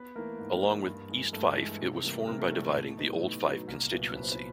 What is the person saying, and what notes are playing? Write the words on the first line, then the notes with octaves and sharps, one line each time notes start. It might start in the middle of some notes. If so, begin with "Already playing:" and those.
Along with East Fife, it was formed by dividing the old Fife constituency.
Already playing: B3 B4
E3 A3 A#3 A#4
G#2
E3 A3
G2
E3 G#3
G2 A3 A4
E3 G#3
C3
E3 G3 A#3
C3 A#3 A#4
A3 A4
E3 G3 A3 A#3 A4
A#4
A3 A4
A2
F#3 B3 D#4
A2
F#3 B3 D#4
C2 A#3 A#4
A#2 F#3 B3 E4
C2 B4
C5
B3 B4